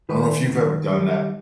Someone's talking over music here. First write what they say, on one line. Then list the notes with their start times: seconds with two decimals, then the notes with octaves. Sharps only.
I don't know if you've ever done that.
0.09 D#3 B4
0.50 D#3
0.92 G3